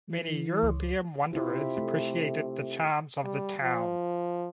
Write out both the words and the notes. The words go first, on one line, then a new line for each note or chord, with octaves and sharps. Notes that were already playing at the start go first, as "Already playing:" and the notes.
Many European wanderers appreciated the charms of the town.
E3
C#2
C3 E4 F4
A3
G3
F3